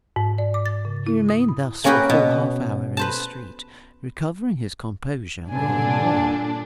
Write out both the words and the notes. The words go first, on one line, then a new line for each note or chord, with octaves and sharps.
He remained thus for a full half-hour in the street, recovering his composure more and more.
G#2
D5
D6
A6
C#3
E4
D#6
B5
A#3 C#4 F#4 G#4 B4 G5
B2
B4 C5 A5
G2 A#2 D3 F#3 D4 G#5